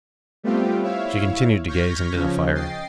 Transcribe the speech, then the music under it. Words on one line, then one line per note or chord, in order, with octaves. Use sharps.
She continued to gaze into the fire.
G3 A3 B3 C4 F4 G4
E4 C#5 E5 F5
C#6 F6 G6 G#6 A#6 B6
C#3 F3 C#4
D#5 G5 A6 C7